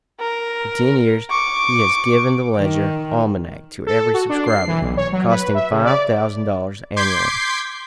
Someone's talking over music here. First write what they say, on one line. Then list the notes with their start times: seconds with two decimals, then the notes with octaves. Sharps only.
For ten years he has given the "Ledger Almanac" to every subscriber, costing five thousand dollars annually.
0.20 A#4
1.30 C#6 D6
2.58 D#3
3.87 A4
4.14 F#4
4.29 D4
4.45 C7
4.67 E3
4.81 B1
4.97 C#5
5.12 F#3
5.30 B4
5.54 E5
5.72 C#3
5.85 D5
6.96 C6 D6 G6 G#6 B6 C7